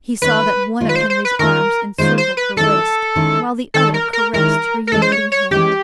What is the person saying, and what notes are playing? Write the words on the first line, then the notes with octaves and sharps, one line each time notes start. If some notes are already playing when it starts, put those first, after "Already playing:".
He saw that one of Henry's arms encircled her waist, while the other caressed her yielding hand.
D#3 G#3 C#4 F4 B4
D#3 G#3 C#4 F4
B4
C5
C5
B4
D#3 G#3 C#4 F4 A#4
D#3 G#3 C#4 F4 C5
C5
B4
D#3 G#3 C#4 E4 A4
D#3 G#3 C#4 E4
D#3 G#3 C#4 E4 A4
A#4
A#4
D#3 G#3 C#4 E4 A#4
A#4
E3 G#3 C#4 A4
C5
C#5
C#5
E3 G#3 C#4 G4